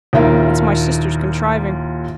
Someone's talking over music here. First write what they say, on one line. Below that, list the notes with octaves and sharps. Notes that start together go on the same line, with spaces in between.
It's my sister's contriving.'
D#2 A#2 E4 A#4 F5